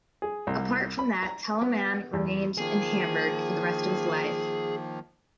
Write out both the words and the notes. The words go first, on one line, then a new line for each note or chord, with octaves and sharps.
Apart from that, Telemann remained in Hamburg for the rest of his life.
G#4
C2
B5
A#5
B3
E2
D#3 F3 A#3 G#4